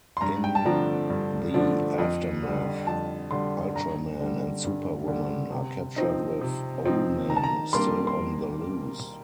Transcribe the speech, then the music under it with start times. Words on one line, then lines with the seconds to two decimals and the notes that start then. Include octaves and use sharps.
In the aftermath, Ultraman and Superwoman are captured with Owlman still on the loose.
0.17 C6
0.21 G2 A#5
0.44 G5
0.55 A5
0.65 D3 F3 A3 D4 A#5
1.10 G2
1.54 D3 F3 A3 D4
1.98 F2
2.43 D3 G3
2.87 F2 A5
3.31 D3 G3 C6
3.75 G2 A#5
4.20 D3 G3
4.64 G2
5.08 D3 G3
5.52 C3
5.96 F3 C4 D#4
6.41 C3
6.85 F3 C4 D#4
7.29 D#3 A#5
7.36 A5
7.44 A#5
7.73 G3 A#3 D4 C6
8.07 C6